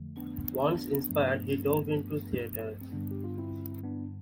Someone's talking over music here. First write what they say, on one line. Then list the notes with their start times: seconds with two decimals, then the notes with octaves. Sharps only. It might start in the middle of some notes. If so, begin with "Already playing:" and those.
Once inspired, he dove into theatre.
Already playing: F2 D3 F3 A3
0.17 B3 D4
0.62 B3 D4
1.09 G2 F3 A3
2.81 C4
2.92 G2 D3 G3 B3 D4
3.11 G4
3.24 F4
3.38 C4 E4
3.83 B3 D4